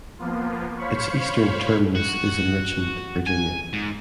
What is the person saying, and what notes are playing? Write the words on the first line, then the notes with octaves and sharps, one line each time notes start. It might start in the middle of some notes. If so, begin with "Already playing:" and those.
Its eastern terminus is in Richmond, Virginia.
F3 A#3 B3 F4
C5 C#5 F5 B5 C#6
F#4
G#5
G#2